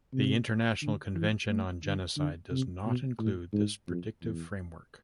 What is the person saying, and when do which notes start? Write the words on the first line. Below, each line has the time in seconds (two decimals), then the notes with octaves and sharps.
The international convention on Genocide does not include this predictive framework.
0.13 C3
0.82 D3
1.15 E3
1.50 A3
1.84 D3
2.17 D3
2.51 C3
2.86 B2
3.19 A2
3.53 G#2
3.87 F2
4.21 E2